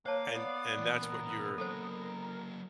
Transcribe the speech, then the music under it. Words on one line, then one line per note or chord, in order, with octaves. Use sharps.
and and that's what your
A#3 C5 C#5 F5 A5
B3 D5
A#2 E3
A#4
F#3 A#3 A4 C5